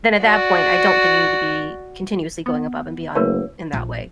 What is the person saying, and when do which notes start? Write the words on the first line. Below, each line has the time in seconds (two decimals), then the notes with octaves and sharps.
then at that point, I don't think you need to be continuously going above and beyond in that way.
0.22 F#4 D5
2.46 B3
3.15 F#1 A3 A#4 B4 C#5
3.73 A#1